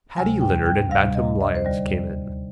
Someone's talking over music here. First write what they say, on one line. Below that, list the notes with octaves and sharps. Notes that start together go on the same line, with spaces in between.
Paddy Leonard and Bantam Lyons came in.
D2 C3 G3 G#5
G5
G5
D2 C3 G3 F5
D#5
D#5
C5
D#2 D3 G3 D5